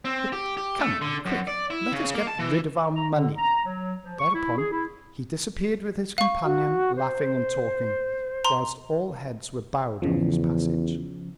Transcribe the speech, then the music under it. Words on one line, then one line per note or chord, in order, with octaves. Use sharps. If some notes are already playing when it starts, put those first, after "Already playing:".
"But come, quick! let us get rid of our money." Thereupon he disappeared with his companion, laughing and talking, whilst all heads were bowed on his passage.
C4
G4
G4
A3
D3
F#2
D5
E4
C#3
A#3
A5
E3
A#5
D3
A#5
F#3
F3
C#6
E4
G#4
E4
F5 C#6
F#4
C5
A#5 C6
E2 C#3 F3